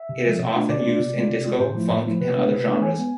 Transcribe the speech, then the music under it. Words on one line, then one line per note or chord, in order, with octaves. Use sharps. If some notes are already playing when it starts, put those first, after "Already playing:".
It is often used in disco, funk, and other genres.
Already playing: E5
C3
F3 G#3 C4
B2
A3 D4 F4
B2 D5
A3 D4 F4
C3
G#3 C4 F4
C3
G#3 C4 F4
A2 C5
F3 A3 E4
A2
F3 A3 E4
C3 B4
G#3 B3 D4
C3
G#3 B3 D4
E3 G#5
G#3 B3